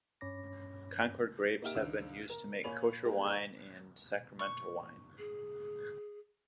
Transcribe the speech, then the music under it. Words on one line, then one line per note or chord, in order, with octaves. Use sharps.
Concord grapes have been used to make Kosher wine and sacramental wine.
G2 C#4 C#5 B5 D6 A#6
A#3 D#4 G4 E5 F6 D7
C#2 D#3 D4 E6
A#4
A#2 A#3 C#5 G#5 B5 F7
G#3 A#3 G4 A#4
G#4 D#5 F5 A#5 C#6
C#6
G#4